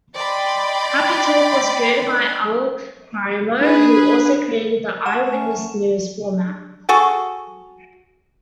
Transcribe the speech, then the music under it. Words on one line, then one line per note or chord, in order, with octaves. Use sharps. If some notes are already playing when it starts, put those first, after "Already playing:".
Happy Talk was created by Al Primo, who also created the "Eyewitness News" format.
D5 D#5 G5 B5 C6
D4 G#4 B4
F#5 A5 C#6 E7
A3 C#4
F#4 G#4 A4